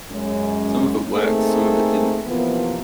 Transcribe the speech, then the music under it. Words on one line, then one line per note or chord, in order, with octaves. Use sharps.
Some of it worked and some of it didn't.
F#2 G#3 C#4
A3 A#3 C4 D#4 G#4 A4
C3 E3 F3 A#3 B3